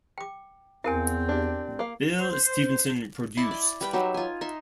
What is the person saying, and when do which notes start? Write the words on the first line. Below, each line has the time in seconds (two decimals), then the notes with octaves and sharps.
Bill Stevenson produced.
0.18 G5 D6
0.84 E2 C4 E4 A#4 F5 G#5
1.29 D4 G4
1.79 A#3 F5
2.18 C5
3.37 E4 D5 D#5 A5
3.51 D5
3.81 G3 B4 G5
3.93 F#3 D#4 G4 E5
4.14 F4 G#5
4.41 D#4 E5 C6